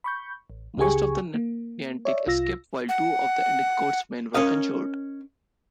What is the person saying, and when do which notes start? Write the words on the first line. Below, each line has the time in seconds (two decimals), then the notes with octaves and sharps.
Most of the Niantic escaped, while two of Endecott's men were injured.
0.04 B5 C#6 G6
0.50 A1
0.77 C#2 C#3 G4 G#4 G#5 C#6
1.34 A#3
2.05 C#5 D5 E5
2.27 C2 F4 E6 A#6
2.89 F#5
4.34 C#4 A#4 D#5 F5